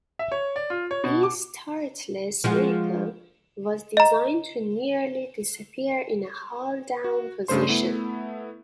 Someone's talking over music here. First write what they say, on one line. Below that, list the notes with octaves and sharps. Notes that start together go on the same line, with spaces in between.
This turretless vehicle was designed to nearly disappear in a hull-down position.
E5
C#5
D5
F4
C#5
B2
D6
F3 G#3 F#4
D#5 A#5
F#4
G2 C#3 A3 C5 C6
A3 B3 E4